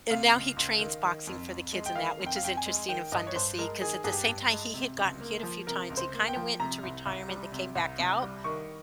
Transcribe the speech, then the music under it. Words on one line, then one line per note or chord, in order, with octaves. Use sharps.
And now he trains boxing for the kids and that, which is interesting and fun to see 'cause at the same time he had gotten hit a few times, he kinda went into retirement and came back out,
C3 F5
C#2
C#2
D#3
D#3
F2
F2
G#3
G5
D#3 F5
F2
G5
F5
F2 G5
G#5
G#3
D#3 G5
G2 D#5
C#5
G2 C5
G#3 A#4
D#3 G#4
G2 G#4
G4
G2
G#3
C3
C#2
A#3
F3
C3 A#4
C#2
C5
A#3
G5
F3
C3 A#5
C2
C2
G3
C3
C2
C2
G3
D#3 C#6